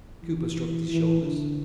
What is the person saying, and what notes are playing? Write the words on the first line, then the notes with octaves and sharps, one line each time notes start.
Cooper shrugged his shoulders.
E3
E3
D3